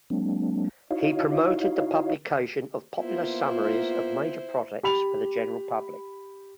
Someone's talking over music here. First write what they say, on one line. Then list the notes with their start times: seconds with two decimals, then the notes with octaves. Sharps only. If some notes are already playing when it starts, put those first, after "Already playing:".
He promoted the publication of popular summaries of major projects for the general public.
0.10 F#3 G#3 A#3 C4 D4
0.91 D#4 E4 F#4 C#5 D#5 F5
3.00 A#3 B3 E4 F4 C5
4.83 G4 B5 F7